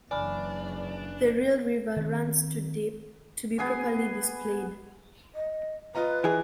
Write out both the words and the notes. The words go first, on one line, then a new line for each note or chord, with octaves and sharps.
The real river runs too deep to be properly displayed.
F#1 C#3 E3 D4 D5 G#5 B5 F6
D#3 C4
B3 G#4 G#5 D6
D#5
F4 B4 D#5 A#5
E3 G#4